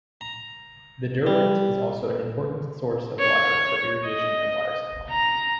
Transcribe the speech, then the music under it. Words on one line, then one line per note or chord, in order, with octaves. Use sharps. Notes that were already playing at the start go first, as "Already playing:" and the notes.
The Derwent is also an important source of water for irrigation and water supply.
A#5
G3
C#5
D#5
A#5